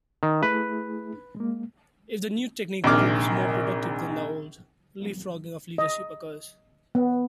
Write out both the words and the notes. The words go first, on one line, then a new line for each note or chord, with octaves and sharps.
If the new technique proves more productive than the old, leapfrogging of leadership occurs.
D#3
A3 E4 G#4 B4
G#3 A#3
A#1 C3 D#3 A#3 D6 F6
D#5
B3